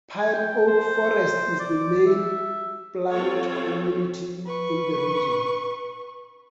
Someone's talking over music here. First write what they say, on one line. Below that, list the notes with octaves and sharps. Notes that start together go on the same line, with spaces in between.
Pine–oak forest is the main plant community in the region.
G#5
G5
C5
D5
E5
C4 F4 A4 C#5
B4 C#6